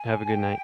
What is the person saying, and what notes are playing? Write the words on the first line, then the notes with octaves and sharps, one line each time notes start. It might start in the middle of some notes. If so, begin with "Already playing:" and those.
Have a good night.
Already playing: G#5
G5